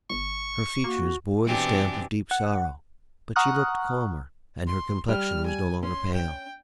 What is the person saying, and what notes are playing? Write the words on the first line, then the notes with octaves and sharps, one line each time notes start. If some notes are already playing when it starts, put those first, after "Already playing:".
Her features bore the stamp of deep sorrow, but she looked calmer, and her complexion was no longer pale.
G1 C#6
A#3 F#4
B2 E3 C4 D4 G4 G#5
F#5
F#5 A#5 C#6 D#6 F6 F#6
C6
G3 F6
G#5
C#4 C6
G5